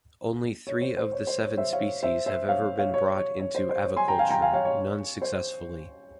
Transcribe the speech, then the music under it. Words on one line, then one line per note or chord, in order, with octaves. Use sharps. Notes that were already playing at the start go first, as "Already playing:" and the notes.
Only three of the seven species have ever been brought into aviculture, none successfully.
C#5
C5
C5
C#5
C5
C#5
C5 E5
C#5 F5
C5 E5
C5 E5
C#5 F5
C#5 F5
C#5
C#5
C#5
C5
C5
C#5
G#5 C6
G5 A#5
F5 G#5
G5 A#5
F5 G#5
C#5 F5
C#5
C5